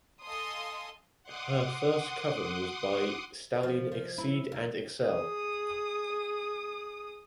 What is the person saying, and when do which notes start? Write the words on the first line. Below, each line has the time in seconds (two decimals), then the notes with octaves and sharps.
Her first covering was by stallion Exceed And Excel.
0.24 A4 D#5 F5 G#5 C6 D#6
1.23 F#5 C6 D6 D#6
3.63 F3
3.92 F3
4.18 E4
4.52 D#2
5.03 G#4 D#6